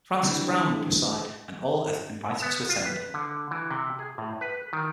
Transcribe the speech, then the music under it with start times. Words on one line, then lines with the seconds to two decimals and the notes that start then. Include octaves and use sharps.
Frances Brown will preside; and all are invited to attend.
0.23 D3 E3 G3 C4 D4
2.42 B3
2.69 F4
2.85 B4
3.14 D3
3.51 E3
3.71 C3
3.99 G#4
4.18 A2
4.41 B4
4.73 D#3